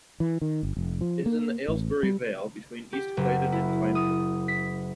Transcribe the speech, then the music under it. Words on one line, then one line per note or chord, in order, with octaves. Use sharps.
It is in the Aylesbury Vale, between East Claydon and Quainton.
E3
D#3
G1
F1
F3
A#3
A1
G3
G4
F#1
E4
D#6
B6